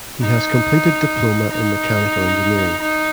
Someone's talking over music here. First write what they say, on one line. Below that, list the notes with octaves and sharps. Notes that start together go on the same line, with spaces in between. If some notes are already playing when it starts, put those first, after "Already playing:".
He has completed Diploma in Mechanical Engineering.
D#4
D#4
D#4